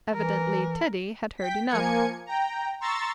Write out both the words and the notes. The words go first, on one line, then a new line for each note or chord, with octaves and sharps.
Evidently Teddy had heard enough.
E3 A#4
G5 B6
F3 A#3 G#5 G#6 C#7
G5 A#5
A#5 C6 C#6 E6 A6